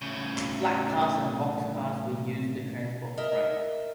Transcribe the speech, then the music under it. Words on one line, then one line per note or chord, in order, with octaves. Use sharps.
Flatcars and box cars were used to transport freight.
A2 C#3
A#4 D#5 E5